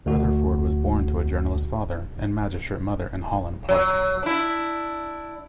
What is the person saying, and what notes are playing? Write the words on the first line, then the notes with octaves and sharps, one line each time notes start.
Rutherford was born to a journalist father and magistrate mother in Holland Park.
D2 F#4
F#3
D4 E4